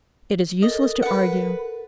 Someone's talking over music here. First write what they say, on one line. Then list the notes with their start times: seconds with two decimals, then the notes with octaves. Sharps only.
'It is useless to argue.
0.62 A4 A#4 D#5
1.02 B4 F#5